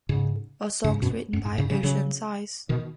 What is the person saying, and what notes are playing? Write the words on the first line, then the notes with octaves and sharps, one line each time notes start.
All songs written by Oceansize.
G#2 C#3
G#2 C#3
F#2 B2
F#2
G#2
G#2 C#3
C#3 F#3
C#3 F#3
B2 D#3